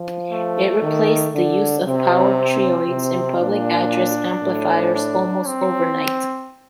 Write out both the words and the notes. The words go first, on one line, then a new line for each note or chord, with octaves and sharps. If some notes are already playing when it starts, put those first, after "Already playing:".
It replaced the use of power triodes in public-address amplifiers almost overnight.
Already playing: F3
A3
D#3
D3
C3 C4
C4
C3
A#2 D4
A2
D4
C4